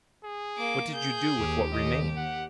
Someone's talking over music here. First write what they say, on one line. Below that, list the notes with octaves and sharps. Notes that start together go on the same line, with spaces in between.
"What did you do with what remained?"
G#4
A#3 D6
G#4 G6
D#2 G4
D#5
F#5